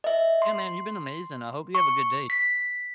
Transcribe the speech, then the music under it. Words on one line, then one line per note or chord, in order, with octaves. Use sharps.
Yeah, man, you've been amazing, I hope you have a good day.
D#5 E5
C6
C#6
B6